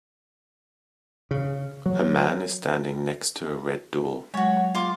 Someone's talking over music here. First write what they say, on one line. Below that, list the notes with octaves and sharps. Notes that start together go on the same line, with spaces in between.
A man is standing next to a red door.
C#3
F#3
F#3 G#3 F#4 C#5
F4 C6 D6